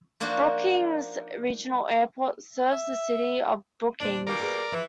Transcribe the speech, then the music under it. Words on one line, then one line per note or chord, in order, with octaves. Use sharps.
Brookings Regional Airport serves the City of Brookings.
F3 A#3 D4 D#4 F#4
E5
E2 A#2 D4 C5
B2 D#3 G3 A#3 A#4 D5
G#4 B4
E3 F3 E4